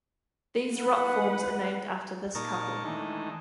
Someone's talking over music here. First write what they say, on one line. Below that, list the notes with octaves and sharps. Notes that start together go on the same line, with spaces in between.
These rock forms are named after this couple.
B4 F#5
A#2 D#4 A#4 A5 C#6
D#3 E3 G#3 A3 D4 D#4